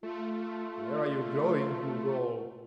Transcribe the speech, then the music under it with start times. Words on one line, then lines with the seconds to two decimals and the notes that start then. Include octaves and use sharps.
"Where are you going, you rogue?"
0.03 A3 F4